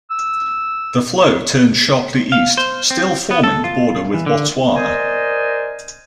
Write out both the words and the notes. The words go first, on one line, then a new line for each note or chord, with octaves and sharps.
The flow turns sharply east, still forming the border with Botswana.
E6
F5
C5
C4
B3
A4
F4
E3
D3
A#4 C5 D5 D#5 G#5